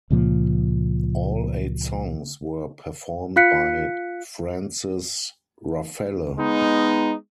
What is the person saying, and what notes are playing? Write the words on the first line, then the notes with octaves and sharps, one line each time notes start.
All eight songs were performed by Frances Ruffelle.
C#2 A#2 F3 A#3
F4 F5 F#6 B6 C#7
G#3 B3 D#4